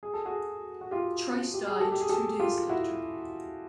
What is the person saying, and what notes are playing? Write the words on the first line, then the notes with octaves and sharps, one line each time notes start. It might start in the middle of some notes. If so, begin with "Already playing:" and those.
Trice died two days later.
G#4
A4
F#4 G#4
F#4
F4 G4
G4
G#4
G4 A4
G4
G#4
G4 A4
F4 G4
E4 F#4